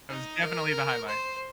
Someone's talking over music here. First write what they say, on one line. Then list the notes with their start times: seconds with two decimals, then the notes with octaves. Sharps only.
That was definitely the highlight.
0.09 D#4
0.42 A#4
1.08 C5